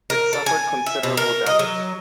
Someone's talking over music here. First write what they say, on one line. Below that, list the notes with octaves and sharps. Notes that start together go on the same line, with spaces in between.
It suffered considerable damage.
A#4
A4
G#5
E5
B2
A#4
D#5
F#3